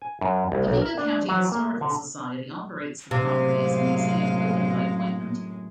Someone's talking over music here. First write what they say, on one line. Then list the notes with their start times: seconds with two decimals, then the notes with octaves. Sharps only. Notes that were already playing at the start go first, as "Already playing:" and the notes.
The Vigo County Historical Society operates the property as a museum, open by appointment.
0.02 G#5
0.21 F#2
0.52 C2
0.67 B1
0.82 A#4
0.98 D4
1.29 F#3
1.52 A#3
1.81 D3
3.11 F#2 A2 C3 G#3 F5